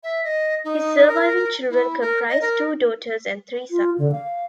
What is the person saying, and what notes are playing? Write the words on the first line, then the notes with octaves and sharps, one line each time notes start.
His surviving children comprise two daughters and three sons.
E5
D#5
D#4
A#4
E4
A#4
D#5
A#4
F4
D3
F5